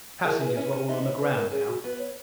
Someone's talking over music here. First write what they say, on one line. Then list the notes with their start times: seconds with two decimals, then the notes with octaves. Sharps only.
The passengers were all on the ground now.
0.24 E4 G#4 A#4
0.40 E4 G#4 A#4
0.46 B4
0.57 C#4 E4
0.67 C#5
0.73 C#4
0.88 B3 D#4 E5
1.03 C#5
1.20 B4
1.36 A#4
1.51 C#4 G#4
1.67 F#4
1.84 B3 B4
1.99 C#5